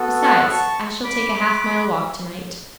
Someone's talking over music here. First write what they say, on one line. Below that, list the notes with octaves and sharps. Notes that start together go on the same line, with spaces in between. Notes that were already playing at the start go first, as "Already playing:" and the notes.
Besides, I shall take a half-mile walk to-night.'
Already playing: B3 F#4 A4
F#5 A5
A5 C#6
B5 D6
B5 D6